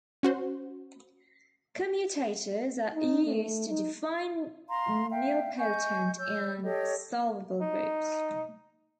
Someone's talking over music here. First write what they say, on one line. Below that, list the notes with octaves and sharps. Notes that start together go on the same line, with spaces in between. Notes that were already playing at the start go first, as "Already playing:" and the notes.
Commutators are used to define nilpotent and solvable groups.
C#4 F#4 C5
D#4
A3
D#4
F5 A#5 C6
E5 F5 G5
D#5 G#5 C#6 G6
C#5 E6 G6
G4 A4 C#5 D#5
D#4